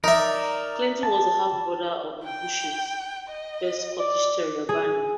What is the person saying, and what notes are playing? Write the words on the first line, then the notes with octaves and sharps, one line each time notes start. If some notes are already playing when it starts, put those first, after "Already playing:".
Clinton was the half-brother of the Bushes' first Scottish terrier, Barney.
D#4 A#4 D5 E5
A5
G5
D#5
D5
G#4